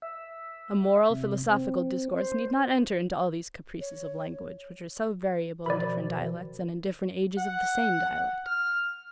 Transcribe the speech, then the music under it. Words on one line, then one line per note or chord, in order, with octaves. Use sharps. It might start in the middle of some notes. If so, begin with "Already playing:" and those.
A moral, philosophical discourse needs not enter into all these caprices of language, which are so variable in different dialects, and in different ages of the same dialect.
E5
C3
C4
C5
C#5
B2 D#3 F3 D5 B5
F#5
F6